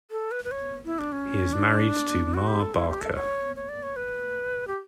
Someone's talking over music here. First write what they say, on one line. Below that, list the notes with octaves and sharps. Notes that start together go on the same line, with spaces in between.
He is married to Ma Barker.
A4
B4
B4
C#5
E4
D4
C#4
D4
F#4
G4
A4
E4
G4
A4
C#5
C#5
D5
C#5
B4
G4